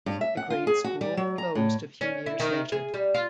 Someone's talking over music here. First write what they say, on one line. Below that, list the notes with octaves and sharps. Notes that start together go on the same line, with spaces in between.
The grade school closed a few years later.
G2
E5
F#5
F4
G#4
F#4
G3
F#3
A#5
A2
C#4
E4
D#3
G#4
G3
F4